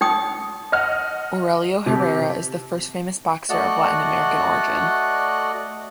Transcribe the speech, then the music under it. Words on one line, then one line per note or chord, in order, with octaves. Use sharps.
Aurelio Herrera is the first famous boxer of Latin American origin.
D#4 G5 D#6
D#5 F#5 F6
C3 D#4
A3 F#4 D5 D#5 F#5 F#6